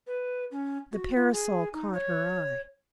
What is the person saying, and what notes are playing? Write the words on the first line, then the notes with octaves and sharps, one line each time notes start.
The parasol caught her eye.
B4
C#4
F#4
F4
G#4
D#4
C#5